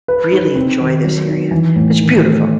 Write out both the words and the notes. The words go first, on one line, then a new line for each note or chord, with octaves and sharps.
really enjoy this area. It's beautiful.
B4
D#4
C4
D#3
F#3
D#4
E3
A2
D#3
A3